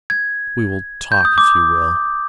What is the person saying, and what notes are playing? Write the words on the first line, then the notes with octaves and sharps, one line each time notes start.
"We will talk, if you will."
G#6
G6
D#6
D6